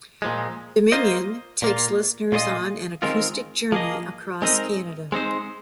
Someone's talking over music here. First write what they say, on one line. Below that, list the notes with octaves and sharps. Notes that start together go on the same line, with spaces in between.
"Dominion" takes listeners on an acoustic journey across Canada.
A#2 F3 G#3
A#3 F4 C5 D#5
A#2 A#3 F4
A#2 G#3 F4 C5 D#5
D#3 G#3 C4 F4 A#4
F3 A#3 G#4 D#5
G#3 C4 D#4 A#4 D#5
G#3 C4 D#4 C5